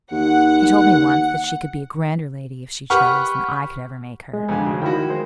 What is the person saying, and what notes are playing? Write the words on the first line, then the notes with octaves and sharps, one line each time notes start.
She told me once that she could be a grander lady, if she chose, than I could ever make her.
D#2 F#5
G4 B4 F#5 C#6 F6
G#3
F2 D3 G#5
D2 C#3
D#3 F3 E4 F#4 G5
G#3 A#4 C5